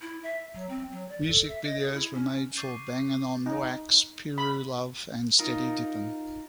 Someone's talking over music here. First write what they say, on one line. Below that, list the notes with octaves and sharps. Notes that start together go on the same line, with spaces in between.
Music videos were made for "Bangin' on Wax", "Piru Love" and "Steady Dippin"'.
E4
E5
F#3
C4
F#3
D5
A4
E5
D#5
G#4
E4
C#4
C#6 D6 G6 A6 C7 D#7
D#4
B5
D#4 F4 A#4